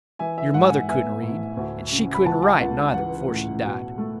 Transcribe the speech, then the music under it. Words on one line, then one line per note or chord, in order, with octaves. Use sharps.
Your mother couldn't read, and she couldn't write, nuther, before she died.
E3 E5 G#5
E5
G#2 F#5
G#5
F#5
B3 E5 G#5
A2
D2
C#3
B5
C#2 F#5 A5
F#5 A5
C#2 F#5
E3 F#5
A2
B2
A3